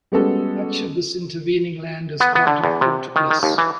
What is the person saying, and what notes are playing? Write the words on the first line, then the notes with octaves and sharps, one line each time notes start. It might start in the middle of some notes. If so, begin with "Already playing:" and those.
Much of this intervening land is part of Fort Bliss.
G3 G#3 B3 C#4 F#4 A4
B3
B3
D3
E2
C3
D#3
D#3
D#2
E3